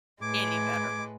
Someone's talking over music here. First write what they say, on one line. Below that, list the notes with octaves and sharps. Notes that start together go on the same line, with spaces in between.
Any better.
A2 G#3 B4 D6 G#6